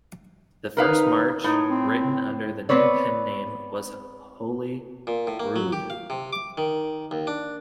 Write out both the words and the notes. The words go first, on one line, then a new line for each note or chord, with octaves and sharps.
The first march written under the new pen name was "Holyrood".
D#4 A#4 B4 F5
A2 D#4
C4
B3 C4 B4 C#5 D5
A#2
A2
A#3
F#3
G4
F5
C3
D6
D#3
D#2
D4